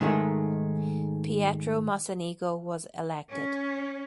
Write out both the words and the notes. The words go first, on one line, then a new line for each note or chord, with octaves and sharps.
Pietro Mocenigo was elected.
G#2 D#3 G#3 A3
C#4